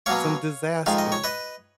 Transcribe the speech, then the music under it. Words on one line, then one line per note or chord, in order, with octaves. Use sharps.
some disasters,
B2 F#3 A#3 C#4 C#5 F5
F2 D#3 G#3 D#4 F5
D#5
C#5
B4 D#5